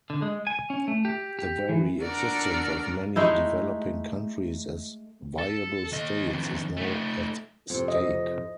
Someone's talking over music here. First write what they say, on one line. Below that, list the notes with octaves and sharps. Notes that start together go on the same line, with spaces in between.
The very existence of many developing countries as viable States is now at stake.
D3
G#3
G#5
C#4
A3
G4
G4
E3
D4 F#4 A4 A#4 D5 A#5
G#3 A3 D#4 E4
A4
D#2 D#5
F2 D#3
A3 D#4
F2 C3
D#5